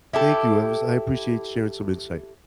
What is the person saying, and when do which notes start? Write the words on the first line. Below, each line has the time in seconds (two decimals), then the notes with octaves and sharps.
Thank you, it was I appreciate sharing some insight.
0.13 E4 G4 A4